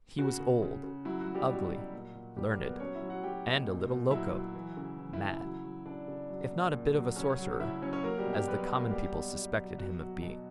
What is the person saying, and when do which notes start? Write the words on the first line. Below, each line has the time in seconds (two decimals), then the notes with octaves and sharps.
He was old, ugly, learned--and a little "loco"--mad, if not a bit of a sorcerer, as the common people suspected him of being.
0.19 C#3 F#4
0.40 C#3
0.62 C#3
0.83 C#3
1.05 F#3 E4
1.21 F#4
1.27 F#3
1.35 G3 G4
1.49 B2 F#4
1.71 F#3
1.93 A#2
2.15 A#2
2.36 A#2 G3 G4
2.51 A#3 A#4
2.58 F#3
2.66 B3 B4
2.80 F#3 C#4 C#5
2.95 E4 E5
3.02 F#3
3.09 F#4 F#5
3.24 F#3 G4 G5
3.46 B2
3.67 A#2
3.89 A#2
4.11 F#3 E4 E5
4.33 F#3
4.55 E3
4.77 C#3
4.98 E3
5.13 E4 E5
5.20 C#3
5.28 E4 E5
5.42 F#3
5.64 F#3
5.86 C#3 D4 D5
6.08 C#3
6.29 F#3
6.52 A#2
6.73 A#2
6.95 F#3
7.16 C#3 C#4 C#5
7.38 F#3
7.60 C#3 E4 E5
7.82 F#3 C#4 C#5
7.93 C#4 C#5
8.04 F#3 A#3 A#4
8.18 G3 G4
8.26 B2
8.33 G3 G4
8.48 F#3 B3 B4
8.62 B3 B4
8.69 F#3
8.77 A#3 A#4
8.91 F#3 G3 G4
9.13 B2
9.35 F#3
9.57 F#3
9.78 B2 F#4
10.00 F#3
10.22 B2